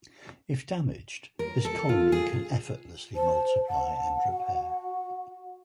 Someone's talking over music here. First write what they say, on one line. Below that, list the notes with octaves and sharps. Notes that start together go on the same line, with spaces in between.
If damaged, this colony can effortlessly multiply and repair.
A#4
A4
F4
G#4
C5 A5
F#5 A5
F#4